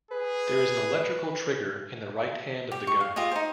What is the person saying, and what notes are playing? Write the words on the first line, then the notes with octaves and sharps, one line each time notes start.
There is an electrical trigger in the right hand of the gunner.
G#4 B4
G4
C#6
F5
F4 G4 G#4 D#5
D#4 C5